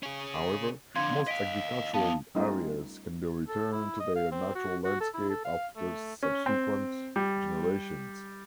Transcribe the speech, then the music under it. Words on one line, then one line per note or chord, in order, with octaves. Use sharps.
However, most agricultural areas can be returned to their natural landscape after subsequent generations.
C#4 G#4
F2 D3 F5 C6 G#6
D#5 F5 B6 D7
F3 B3 F5 A5
G3 A3 B3 C#4 D#4 F4
A4
E4
D#5
F5
C4
F#4
F#4
A4
E4
A4
F5
A3
C#4
C4
G3